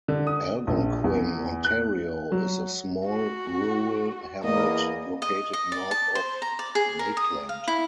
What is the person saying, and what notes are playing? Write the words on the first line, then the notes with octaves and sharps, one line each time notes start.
Algonquin, Ontario, is a small rural hamlet located north of Maitland.
D3
D#6
A#1
E2
F#6
F#3
F#4
E2 A#3 D#5
D#5
D#5
D5
A5
C5
A#5
D5
G#4
A#4
D#6
F5
E4